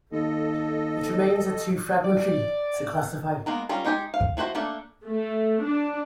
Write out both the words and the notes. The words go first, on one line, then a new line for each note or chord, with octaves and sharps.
Its remains are too fragmentary to classify.
D#2 A4 D#5
D5
G#3 A#3 B3 A#4
G3 C#4 F4 A#4
G#3 D#4 G4 D#5 G#5
F5
F3 E4 F#4 C5 D#5
A3 A#3 D4 A4
A3
D4